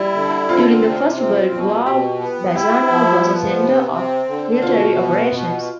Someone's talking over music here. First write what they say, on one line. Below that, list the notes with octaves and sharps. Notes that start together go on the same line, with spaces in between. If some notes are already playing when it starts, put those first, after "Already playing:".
During the First World War Bassano was a centre of military operations.
Already playing: G3 E4
D3
C4 F4
C3
C4
B2
B2 G4
B3
E4 G4
G4
F3
B3
C3
C4
D3
B2 F4
B3
B2